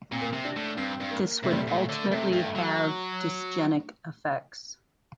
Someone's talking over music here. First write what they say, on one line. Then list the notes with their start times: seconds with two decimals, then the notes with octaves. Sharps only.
This would ultimately have dysgenic effects.
0.12 A#2 C4
0.22 A#3
0.32 C3 C4
0.45 D4
0.57 A2
0.78 G2 C4
1.01 G2
1.11 A#3
1.44 C3 A3
1.53 G3
1.62 A3
1.67 A#2
1.89 D3
2.03 A#3
2.11 C3 A3
2.32 G2
2.44 A3
2.55 F#3